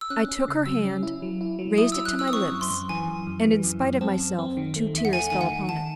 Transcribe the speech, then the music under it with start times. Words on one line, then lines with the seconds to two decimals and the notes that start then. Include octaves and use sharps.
I took her hand, raised it to my lips, and in spite of myself two tears fell upon it.
0.01 E6
0.10 C#4 F#6
0.28 C#4
0.48 C#3
0.66 F#3 E6
0.85 C#4
1.03 E4
1.22 F#3
1.41 E4
1.59 F#3
1.78 E4 D#6
1.92 F#3 E6
2.05 F#6
2.15 E4 E6
2.28 D#6
2.33 C4 C#6
2.52 F#2
2.61 C6
2.71 F#2
2.89 E3 G#5
3.08 F#2
3.27 F#2
3.45 E3
3.64 F#2
3.83 F#2
4.01 C4 A5
4.19 F#2
4.39 C4
4.57 D#3
4.76 A3
4.94 E2 E5
5.05 F#5
5.13 A3 G#5
5.30 D#3 G#5
5.41 F#5
5.50 D#3
5.69 D#3 A5